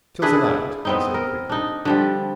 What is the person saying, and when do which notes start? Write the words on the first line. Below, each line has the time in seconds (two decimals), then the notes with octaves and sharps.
"Till to-night," I said quickly.
0.22 D4 E4 G#4 B4
0.85 B3 C4 D#4
1.14 A#4
1.49 D4 D#4
1.85 D3 F3 G3